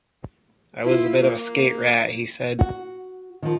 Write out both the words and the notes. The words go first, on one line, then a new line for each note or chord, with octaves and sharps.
"I was a bit of a skate rat," he said.
E4 F4
A#3
F#4
D#3 F3